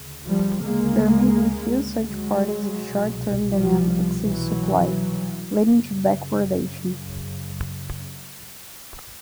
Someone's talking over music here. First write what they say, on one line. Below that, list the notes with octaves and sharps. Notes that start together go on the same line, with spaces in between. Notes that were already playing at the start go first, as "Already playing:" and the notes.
There may be few such parties if short-term demand exceeds supply, leading to backwardation.
Already playing: D2 C#3
F3 G3
G#3 A#3
F#3 G#3
C2 B2
F3 G3
E3 F#3
F#2 C#3